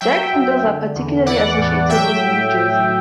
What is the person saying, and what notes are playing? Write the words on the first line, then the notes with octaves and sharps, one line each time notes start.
Jughandles are particularly associated with New Jersey.
F#3 E5 G5
F#2
D3
E2
E3 D5 F#5
A2
F#3 E5 G5